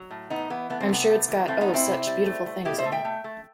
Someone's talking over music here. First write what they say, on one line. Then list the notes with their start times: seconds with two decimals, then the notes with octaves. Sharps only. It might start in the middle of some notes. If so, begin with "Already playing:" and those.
I’m sure it’s got, oh, such beautiful things in it!
Already playing: F#3
0.11 A2
0.30 E3 B3 D#4
0.50 E3 B3
0.70 A3 B3
0.80 C4
0.89 C3 B3
1.09 A3
1.28 E3
1.48 A2 A3 C4
1.61 B3 D#4
1.68 A2
1.74 C4 E4
1.87 C3
2.07 G3
2.26 A3
2.46 A3
2.65 B2 E4 G4
2.78 C5 E5
2.85 A3
2.92 E5 G5
3.05 A3
3.24 A3